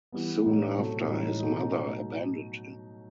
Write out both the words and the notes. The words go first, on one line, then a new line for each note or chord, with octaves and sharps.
Soon after, his mother abandoned him.
E3 G3 B3
A2 G3 D#4
C3 F#3 A3
A2 E3 G3 D#4
B2 F#3 A3 D#4 A4